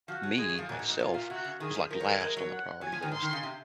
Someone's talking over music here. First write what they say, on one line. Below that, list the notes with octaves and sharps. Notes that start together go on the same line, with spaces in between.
me- myself, was, like, last on the priority list
F3 F#4
F#3
G#3 G#4
F#3
F3
A#2 F#4
G#2
G#2
C3 F4
A#2
C3 F#4
C#3
D#3 G#4
F3
F3 A#4
F#3
G#3
G#3 A#4
F#3
F#5
F#3 G#5
F3
D#3
G#2 C6
D#3
C#3
C3